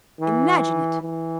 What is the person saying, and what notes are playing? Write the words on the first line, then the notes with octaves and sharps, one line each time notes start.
Imagine it!
E3
E3